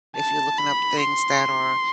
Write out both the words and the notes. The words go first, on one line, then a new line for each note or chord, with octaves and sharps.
if you're looking up things that are
A5
B5
C6